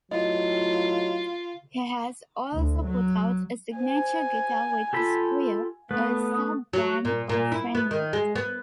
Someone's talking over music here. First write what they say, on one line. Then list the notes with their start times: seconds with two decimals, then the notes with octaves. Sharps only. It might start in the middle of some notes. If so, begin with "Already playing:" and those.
He has also put out a signature guitar with Squier, a sub-brand of Fender.
0.11 A2 F#3 F4 D#5
2.54 D2
2.86 F#3
3.76 C5 G#5
4.93 F4 G4 A4 B5
5.91 A3 B3 B4 D#6
6.73 F#3
7.05 A#2
7.29 A#2
7.52 E4
7.75 B3
7.91 D#3
8.13 G#3
8.35 B3